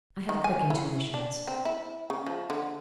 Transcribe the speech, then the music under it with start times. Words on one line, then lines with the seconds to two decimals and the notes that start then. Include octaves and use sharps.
I have quick intuitions.
0.29 D#3
0.44 G#5
0.70 E4
1.14 D4
1.47 C4
1.65 E4
2.10 C#3
2.26 F3
2.50 D3